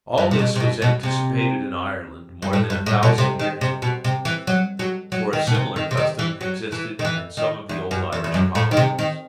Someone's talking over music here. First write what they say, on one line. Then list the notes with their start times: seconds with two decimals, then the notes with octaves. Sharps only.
All this was anticipated in Ireland more than a thousand years ago; for a similar custom existed in some of the old Irish colleges.
0.18 G2
0.31 C3
0.39 B2
0.56 C3
0.60 B2
0.82 B2
1.03 C3
2.42 G2
2.53 A2
2.70 G2
2.86 A2
3.03 B2
3.18 C3
3.39 D#3
3.61 C3
3.82 B2
4.04 C3
4.25 E3
4.47 F#3
4.79 F#3
5.12 F#3
5.33 D#3
5.47 B2
5.55 C3
5.76 D#3
5.91 C3
5.97 D#3
6.19 E3
6.41 F#3
6.72 E3
6.99 D#3
7.05 E3
7.37 D#3
7.69 E2
7.91 F#2
8.12 E2
8.24 E2
8.34 F#2
8.55 A2
8.71 D#3
8.77 C3
8.99 D#3